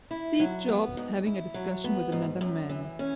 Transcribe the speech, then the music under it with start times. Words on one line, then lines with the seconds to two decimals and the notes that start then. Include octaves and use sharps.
Steve Jobs having a discussion with another man.
0.11 E4
0.40 F#3
0.68 B3
0.97 G#2
1.26 E4
1.54 F#3
1.84 B3
2.12 G#2
2.41 F#2
2.69 E3
2.99 C#4